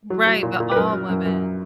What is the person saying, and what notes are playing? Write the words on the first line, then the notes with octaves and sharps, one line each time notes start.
Right. But all women.
F#3
F#3
A#2
A#2
B4
F#2 A#4
F#3
F#2
F#2